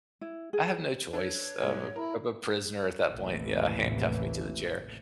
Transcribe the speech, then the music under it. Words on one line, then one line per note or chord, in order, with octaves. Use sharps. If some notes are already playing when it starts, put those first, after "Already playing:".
I have no choice of of a prisoner at that point, yeah, handcuffed me to the chair.
E4
G#4
D4 A4 B4 C#5
G#2 G#3 A#3
E4 A#4
A1 D#2 A2 C3 E3